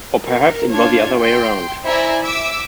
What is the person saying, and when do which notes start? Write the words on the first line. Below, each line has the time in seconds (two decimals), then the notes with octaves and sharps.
Or perhaps it was the other way around.
0.24 A#4
0.72 D4 F4 C#5 G#6
1.19 G5 C6
1.86 E4 C5 D5 E5 G#5 A#5
2.23 E5 D6 E6